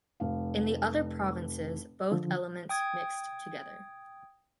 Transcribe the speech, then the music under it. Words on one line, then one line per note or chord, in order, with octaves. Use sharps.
In the other provinces both elements mixed together.
F1 F5
D3 F3
G5 D#6 G#6